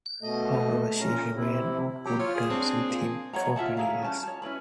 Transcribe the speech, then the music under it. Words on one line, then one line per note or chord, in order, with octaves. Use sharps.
However, she remained on good terms with him for many years.
B2 A3 D#5
A#2 C#4 A#5
C3 E4
F#3 G4
F4 C#5
G#4
C4 D4
A#2
C#5 D#5 F#5 A#5
F4 E5 F#5 A5
E4 G#4 F5 A#5
C#4 A5
C#5 A5
C#4 E4 B4 B5